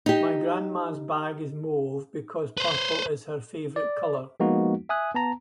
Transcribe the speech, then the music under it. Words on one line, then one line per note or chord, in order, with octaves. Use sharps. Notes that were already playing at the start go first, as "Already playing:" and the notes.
My grandma's bag is Mauve because purple is her favourite colour.
D#4 G4
B4 C5
D5
F3 G#3 A#3 B3 D#4 F#4
E5 G#5 D#6 F#6
B3 A5 A#5